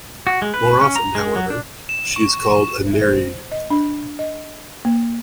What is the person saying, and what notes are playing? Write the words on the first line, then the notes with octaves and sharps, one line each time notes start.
More often, however, she is called a Nereid.
F#4
G#3
B4
C#4
A#5
G#3
F#3
D4
E7
C#6
C#6
C5
D#5
D4
D#5
A#3